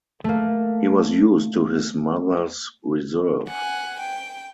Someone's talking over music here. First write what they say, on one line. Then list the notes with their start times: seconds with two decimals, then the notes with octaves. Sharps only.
He was used to his mother’s reserve.
0.24 A3 A#3
3.49 F#5 G#5
4.00 G5